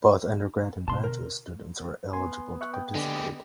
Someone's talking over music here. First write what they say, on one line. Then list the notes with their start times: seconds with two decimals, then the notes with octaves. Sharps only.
Both undergrad and graduate students are eligible to participate.
0.88 B2 D3 A5 C6
1.04 A#4
2.13 B3 G#5 C6
2.61 E5 C#6 F#6
2.74 G5
2.95 D3 G#3 G4